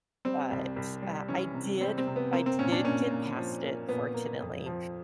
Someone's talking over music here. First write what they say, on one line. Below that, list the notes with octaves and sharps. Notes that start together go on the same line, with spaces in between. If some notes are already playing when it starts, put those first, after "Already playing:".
but, uh, I did I did get past it, fortunately.
G3 C4
C2
C2
G3
E3 C#4
C3
G3 C4
C4
C3
B3
A#3 C4
C4
A#2 C#4
D4
A#2 C#4
A#2
F3
A#3
A#2 B3
A#3
F2
F3